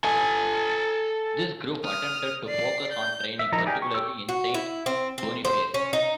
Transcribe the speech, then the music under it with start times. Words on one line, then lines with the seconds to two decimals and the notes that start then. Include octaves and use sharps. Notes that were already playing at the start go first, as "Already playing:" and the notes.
This group attempted to focus on training, particularly in Saint Boniface.
0.04 A4 G#5
1.85 D#6 F6
2.47 D5 C7
2.92 G6
3.39 E5
3.52 F3 D#4 E4 A#4 A#5
3.65 G4 G#4 A#4 D5
3.82 C#6
3.94 G4 C#6 E6
4.29 F#4
4.54 E4
4.86 C4
5.18 C4
5.45 C5
5.74 C#4
5.93 D#4